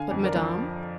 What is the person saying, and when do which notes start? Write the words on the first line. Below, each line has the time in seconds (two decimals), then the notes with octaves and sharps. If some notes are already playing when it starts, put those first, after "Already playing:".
"But Madame?"
Already playing: D3 F5 G#5
0.11 F2
0.23 A#4 D5
0.36 F3